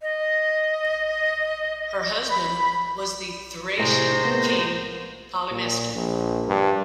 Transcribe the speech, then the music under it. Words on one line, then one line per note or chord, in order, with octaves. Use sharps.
Her husband was the Thracian king Polymestor.
D#5
B5
A2 C3 G#3 C5 A#6
A#3 B3
A#2
A#1
G2